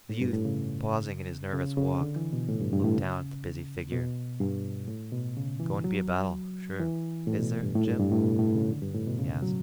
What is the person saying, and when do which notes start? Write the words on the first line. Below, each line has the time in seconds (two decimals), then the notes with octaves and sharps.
The youth, pausing in his nervous walk, looked down at the busy figure. "Going to be a battle, sure, is there, Jim?" he asked.
0.09 A2
0.21 G2
0.33 A2
0.45 C#3
1.53 C#3
1.77 C#3
2.01 D3
2.16 E3
2.33 B2
2.49 A2
2.60 G2
2.72 G2
2.84 A2
2.96 C#3
3.92 B2
4.40 G2
4.88 A2
5.12 B2
5.36 C#3
5.60 E3
5.84 F#3
6.80 E3
7.27 A2
7.39 B2
7.63 G2
7.75 A2
7.87 G2
7.99 G2
8.12 A2
8.23 B2
8.39 A2
8.55 C#3
8.71 D3
8.82 G2
8.95 A2
9.07 B2
9.19 C#3
9.42 F#3